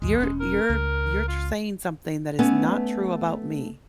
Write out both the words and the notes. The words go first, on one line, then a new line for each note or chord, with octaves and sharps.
You're you're you're tr saying something that is not true about me.
A1 D#2 G#3
E1 C#4
A#4
C#2
F4
A3 B3 C#4